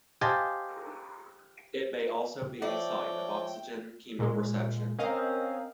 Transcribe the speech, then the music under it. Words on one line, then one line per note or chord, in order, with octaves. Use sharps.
It may also be a site of oxygen chemoreception.
G4 C5 D#5 F5 G#5 A5
F3 C#5 D5 E5 G5
A#2 G#3
C4 C#4 A#4 D#5 F5